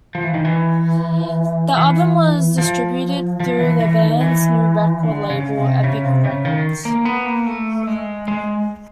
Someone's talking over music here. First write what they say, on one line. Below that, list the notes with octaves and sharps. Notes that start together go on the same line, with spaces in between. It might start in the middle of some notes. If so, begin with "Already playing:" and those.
The album was distributed through the band's new record label, Epic Records.
F3
E3
D#3
E3
E3
F3
F3
E3
E3
D#3
E3
D3
C#3
C3
C#3
C3
C#3
D#3
A#3
B3
A#3
A3
G#3
G#3